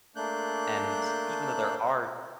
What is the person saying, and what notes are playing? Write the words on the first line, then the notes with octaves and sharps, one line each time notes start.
and even though there are
A3 A#3 D4 F#6 G6